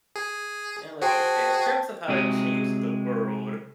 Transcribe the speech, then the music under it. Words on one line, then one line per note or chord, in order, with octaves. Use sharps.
And like, okay, in terms of how it changed the world,
G#4
F#4 G#4 C5 G5 A5
C3 F#3 G#3 G#4